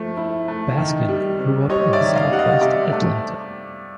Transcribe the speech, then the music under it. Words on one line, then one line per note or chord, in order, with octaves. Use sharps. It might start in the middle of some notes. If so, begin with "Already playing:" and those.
Baskin grew up in Southwest Atlanta.
Already playing: F3 A3
E4
A3
D#3
G3
C3
G3 C#5 D#5
D5 E5
D#3
D#5 F5
G3 F#5
D#5 F5
C3 D5 E5
A3